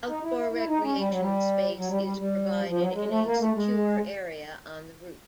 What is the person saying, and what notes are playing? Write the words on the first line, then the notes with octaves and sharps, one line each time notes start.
Outdoor recreation space is provided in a secure area on the roof.
D#4
E4
E4
E4
D#4
C#4
G3
F#3
G3
F#3
G3
G3
G3
F3
F#3
G#3
A3
A#3
A3
G#3